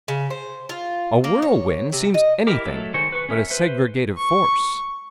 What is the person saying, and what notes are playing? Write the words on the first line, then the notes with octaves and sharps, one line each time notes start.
A whirlwind seems anything but a segregative force.
C#3
C5
F4
A#3
C#5
C3
D#5
E4 G4 A#4 D6
F#3 A3 A4 E5
D#3 G#3 C5 C#6
B4 C#6
C#4 A#4 E5
B4 C5 E5
C#6